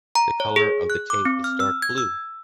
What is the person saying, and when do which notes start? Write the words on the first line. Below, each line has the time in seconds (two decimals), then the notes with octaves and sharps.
The color of the tape is dark blue.
0.15 A#5
0.40 C#5
0.56 G#4
0.90 F#6
1.10 D6
1.25 C4
1.44 F6
1.60 E6
1.82 G#6
1.98 E6